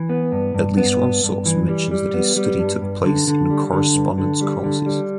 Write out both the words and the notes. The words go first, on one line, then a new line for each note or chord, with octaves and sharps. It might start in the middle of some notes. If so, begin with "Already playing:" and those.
At least one source mentions that his study took place "in correspondence courses".
Already playing: E3
B3
G2
G2
B3
G2
G2
E3
G3
G3
B3
G3
G2
G2
D3
D3
G3
D3
G2
D3
G3
D3
G3